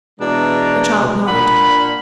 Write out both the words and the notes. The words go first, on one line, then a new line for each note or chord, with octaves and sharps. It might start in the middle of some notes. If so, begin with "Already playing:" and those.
The child nodded.
B2 E3 G#3 D4 D5 A#5
A#2 D4 F#5 B5